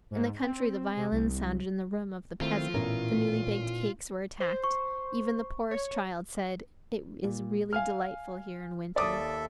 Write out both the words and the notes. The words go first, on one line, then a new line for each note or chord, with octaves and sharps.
In the country the violin sounded in the room of the peasant; the newly-baked cakes were attacked; even the poorest child said, "It is really delightful here in winter!"
G#2
C4
C3
C2
D#3 A3 C4 E4 F4
A1 A#2 B3 E4 A#4
C5
C#6
C#5
A#2
F5 G#5 F6
D#2 A4 D5 E5 D6 D#6